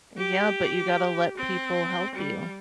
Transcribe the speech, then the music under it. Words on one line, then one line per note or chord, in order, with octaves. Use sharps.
yeah, but you gotta let people help you.
G4
C4
G3